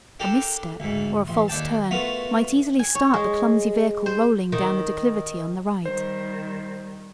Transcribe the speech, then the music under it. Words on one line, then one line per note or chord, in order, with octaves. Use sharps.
A misstep or a false turn might easily start the clumsy vehicle rolling down the declivity on the right.
D4 G4 A4 A#4
D2 G#2
A1 C6
D#2 D4 G5 A5
A3 B3 F4 F#4 A#4
G#5
C#5
G#3
C5
D#3
D#3 G3 C5